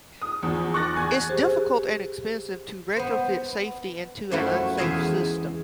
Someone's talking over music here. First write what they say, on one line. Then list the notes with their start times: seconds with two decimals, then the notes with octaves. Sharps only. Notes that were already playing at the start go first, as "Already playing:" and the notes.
It's difficult and expensive to retrofit safety into an unsafe system.
0.22 D#6
0.42 E2 F3
0.74 C#6 D6 F#6 A6 A#6
0.95 E2 G#5 G#6
1.29 G4 G#4 C5
2.96 B3 C5
4.31 F#2 F3 A3 C#4 E4 F#4
4.77 E2 G#3 G#4 E5 F5 G#5